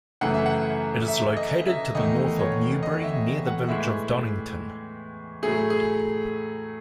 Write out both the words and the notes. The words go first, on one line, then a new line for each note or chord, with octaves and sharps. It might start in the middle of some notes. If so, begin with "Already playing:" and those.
It is located to the north of Newbury, near the village of Donnington.
F#2 C#3 E3 A3 F#5
E5
F#5
E5
D#5
E5
E2 D#3 A3 D#5
C#5
D#5
E5
F#5
A2 E3 G#3 E5
A2 F#3 A3 G#4
G#4